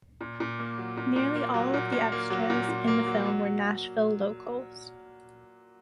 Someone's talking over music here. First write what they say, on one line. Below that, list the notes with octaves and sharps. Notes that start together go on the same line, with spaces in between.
Nearly all of the extras in the film were Nashville locals.
A#2
A#2
A#3
F#3
A#2
A#2
A#3
F#3
A#2
A#2
A#3
F#3
A#2
A#2
A#3
F#3
F#3